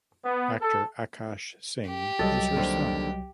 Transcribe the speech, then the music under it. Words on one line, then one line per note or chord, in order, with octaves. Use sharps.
Actor Akash Singh is her son.
B3
A4
G4
C2 F#3 G3 A4 D#5 A6
D#2 D3 C4